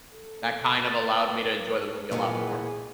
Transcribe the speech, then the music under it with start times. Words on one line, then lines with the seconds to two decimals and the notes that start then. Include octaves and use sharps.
that kind of allowed me to enjoy the movie a lot more.
0.12 A4
0.87 B4 A6
2.11 A#2 D#3 E3 B3 G#4